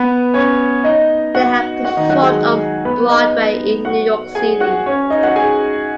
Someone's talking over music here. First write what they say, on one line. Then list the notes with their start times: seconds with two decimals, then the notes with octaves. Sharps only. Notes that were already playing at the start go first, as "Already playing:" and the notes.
They have performed on Broadway in New York City.
Already playing: B3 B4
0.34 C#4 C#5
0.84 D#4 D#5
1.35 F#4 F#5
1.85 F#4 F#5
1.97 D#3 D#4
2.09 F#3 F#4
2.23 G#3 G#4
2.85 B3 B4
3.09 D#4 D#5
3.85 F#4 F#5
4.35 G#4 G#5
4.60 F#4 F#5
4.86 C#4 C#5
5.10 D#4 D#5
5.23 F#4 F#5
5.36 G#4 G#5